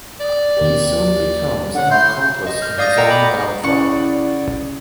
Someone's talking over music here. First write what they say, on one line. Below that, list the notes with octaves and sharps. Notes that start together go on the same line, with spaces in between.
He soon becomes an accomplice in his own downfall.
D5
D#2 A#3 G4
D3 C#4 F#5
E4 F#4 C6 G6
D#5
F6 G6
D5 F5 D#6 G6 A#6
A4 D5 D#5 F#5 G5 A#5
B5 D6 G6
C#3 E4 D5 F#5 C#6